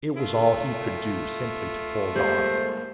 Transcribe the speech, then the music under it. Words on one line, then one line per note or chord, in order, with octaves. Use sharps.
It was all he could do simply to hold on.
A3 F4
G3 G#3 A#3 G4 C5 F5